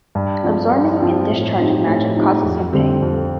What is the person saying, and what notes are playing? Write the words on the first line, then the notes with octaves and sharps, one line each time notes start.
Absorbing and discharging magic causes him pain.
G2
F3 C4
G2
F3 C4
A2
F3 C4 D#4 G4
A2
F3 C4 D#4 G4
F2
D3 G3 C4
F2